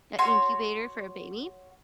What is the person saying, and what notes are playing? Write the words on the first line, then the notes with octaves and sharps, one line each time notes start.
an incubator for a baby,
F#4 C#5 C6